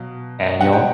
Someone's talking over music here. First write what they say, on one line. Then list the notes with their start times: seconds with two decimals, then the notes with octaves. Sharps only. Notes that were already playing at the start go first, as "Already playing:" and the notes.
and you won't
Already playing: B2 F#3 F5
0.59 B2 F#3 F#5
0.73 G5